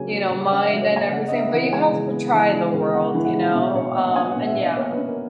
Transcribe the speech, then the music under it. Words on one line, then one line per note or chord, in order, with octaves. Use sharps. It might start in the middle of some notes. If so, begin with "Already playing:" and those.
you know, mind and everything, but you have to try the world, you know, um, and yeah
Already playing: C#3 F#3 A#3 C#4 G#5
A#3
C#3
C#4 F#5
E5
F#3
C#5
A#3 G#5
C#3 F#5
D#5
B3 E5
E3 F#5
G#3 G#5
C#3
B3
E3
G#3
C#3
B3 F#5
E3
F#5
G#3
B2 E5
B2 C#5
A#3 D#5
F#5
C#4 G#5
F#5
B2
E5
B2 D#5
A#3 C#5
B4
C#4
A#4